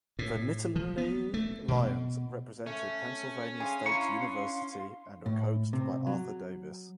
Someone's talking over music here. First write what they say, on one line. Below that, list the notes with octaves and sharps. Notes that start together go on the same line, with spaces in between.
The Nittany Lions represented Pennsylvania State University and were coached by Arthur Davis.
A2
F3
B3
A3
B2
A3 C#4
D4 G#4 C#5 F5 G#5 C6
E4 A#5 C#6
A2
C3
F#3